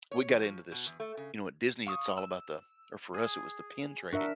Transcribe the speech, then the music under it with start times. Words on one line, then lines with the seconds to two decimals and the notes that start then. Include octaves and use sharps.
we got into this. You know, at Disney, it's all about the or for us, it was the pin trading,
0.11 C#5
0.33 F3
0.72 B2
0.86 E2
1.00 A3
1.17 C#3
1.87 F5 C#6 D#6
2.18 E6
3.14 G#4
4.13 D4 F#4 A#4 E5